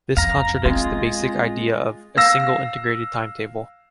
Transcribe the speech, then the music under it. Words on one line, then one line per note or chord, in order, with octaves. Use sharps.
This contradicts the basic idea of "a single Integrated Timetable".
F2 F5 A#5
G#3 C4 F4
F5 E6 A#6